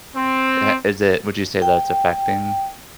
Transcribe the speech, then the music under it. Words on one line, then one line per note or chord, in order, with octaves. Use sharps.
Ha is it would you say that it's affecting
C4
G5